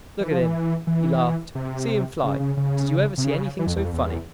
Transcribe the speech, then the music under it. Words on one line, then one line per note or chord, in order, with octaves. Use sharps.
'Look at him,' he laughed; 'see him fly! did you ever see anything so funny?'
E3
F3
E3
E3
C3
C#3
C#3
C#3
C3
C#3
E3
F2
E2
F2
E2